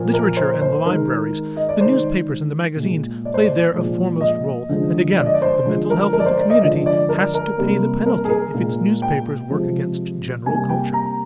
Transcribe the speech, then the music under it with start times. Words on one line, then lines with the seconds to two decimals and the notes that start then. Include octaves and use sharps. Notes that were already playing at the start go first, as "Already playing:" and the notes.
Literature and the libraries, the newspapers and the magazines play there a foremost role, and again the mental health of the community has to pay the penalty if its newspapers work against general culture.
Already playing: A#2 F3 A#3
0.13 A#4
0.37 C5
0.61 C5
0.85 D#3 G#3 A#4
1.56 D#5
1.69 D5
1.81 D#3 G#3 C5
2.76 A#2 G#3
3.25 D5
3.34 C5
3.44 D5
3.74 A#2 F3 G#3
4.21 D#5
4.69 D3 F3 G#3
5.17 D5
5.26 D#5
5.34 D5
5.42 C5
5.65 D3 F3 G#3
5.90 A#4
6.13 A#4
6.20 D5
6.26 C5
6.38 D5
6.50 D#5
6.62 D3 F3 G#3 D#5
6.86 D5
7.09 A#4
7.34 A#4
7.58 C3 G3 A#3
8.06 A#4
8.25 G#4
8.30 A#4
8.54 A#2 G#3
9.02 G5
9.49 C3 F3 G#3
10.46 C3 G3 A#3 G#5
10.69 G5
10.93 A#5